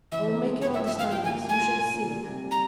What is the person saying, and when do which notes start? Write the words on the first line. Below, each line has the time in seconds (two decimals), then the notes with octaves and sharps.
I will make him understand this, you shall see.
0.12 E3 E5
0.28 C4
0.45 G#3
0.61 G2 C#5
0.74 E5
0.78 F3
0.87 E5
0.95 G2 F5
1.11 F3 G5
1.24 G#5
1.28 A#3
1.45 A#3 G#5
1.61 F4
1.78 A#2
1.94 A#2
2.11 G3
2.27 C3
2.44 G3
2.51 A#5